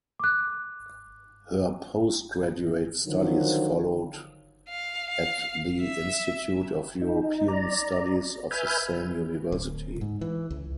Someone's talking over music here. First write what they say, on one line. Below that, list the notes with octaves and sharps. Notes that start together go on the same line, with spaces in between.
Her postgraduate studies followed at the Institute of European Studies of the same University.
D6 F#6
D3 D#3 F3 F#3
F5
F5
E5
D#4
D5 A#5
B4 E5 G#5 F6 G6
D1
G#2
E3
C#2